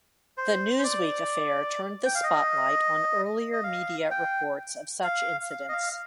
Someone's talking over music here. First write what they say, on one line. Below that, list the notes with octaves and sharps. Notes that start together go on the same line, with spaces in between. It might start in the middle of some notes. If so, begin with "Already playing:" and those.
The "Newsweek" affair turned the spotlight on earlier media reports of such incidents.
C5
C5
D5
G5
F5
D#5
D#5
F5
G5
F5
F5
D#5
F5